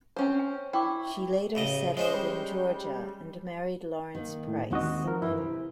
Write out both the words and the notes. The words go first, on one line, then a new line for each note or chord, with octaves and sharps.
She later settled in Georgia and married Lawrence Price.
C4 C#4 C5
G#5
E4 G5 C#6 D6
E5
A1 C#3 D#5
G#3 C#4 C5 D#5
G3
D#3 A#3
A2
D#2 G#3 C4 D#4 F#4 D#5
F3 A#4
G2 D#3 E3 E4
C3